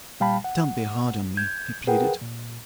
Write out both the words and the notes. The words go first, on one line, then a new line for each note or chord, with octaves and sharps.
"Don't be hard on me," he pleaded.
A#2 G3 F5 G5 A5 B5
F#5
G6 G#6
G#4 A#4 B4 F#5 G5
A#2